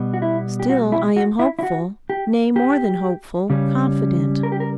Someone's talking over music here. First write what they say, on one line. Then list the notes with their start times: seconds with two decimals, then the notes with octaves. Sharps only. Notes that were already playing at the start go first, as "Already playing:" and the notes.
Still I am hopeful, nay, more than hopeful,--confident.
Already playing: B2 G3 B3
0.14 F#4
0.22 E4
0.60 G4
0.69 F#4
0.92 E4
1.16 F#4
1.39 E4
1.59 E4
1.63 F#4
2.10 G4
2.56 G4
3.50 C#3 G3 C#4
4.43 A#4
4.52 G4
4.60 A#4